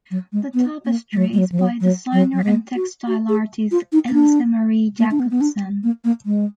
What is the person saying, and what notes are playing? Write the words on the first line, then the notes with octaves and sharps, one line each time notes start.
The tapestry is by designer and textile artist, Else Marie Jakobsen.
F#3
G#3
B3
A#3
G#3
F#3
G#3
F#3
F3
F#3
F#3
F#3
F#3
G#3
F#4
F#4
G#4
F4
D#4
B3
D4
A#3
D4
B3
B3
D4
A#3
A#3
G#3